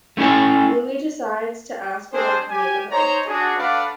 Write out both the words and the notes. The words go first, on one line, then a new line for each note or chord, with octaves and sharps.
Louis decides to ask around the neighborhood.
A3 C#4 E4 A4 G#5
C4 D4 G#4 C5
G4 G#5
D#4 C5 C#5 A#5
D4 F#4 G#4
A3 D4 B4 D5 F5 F#5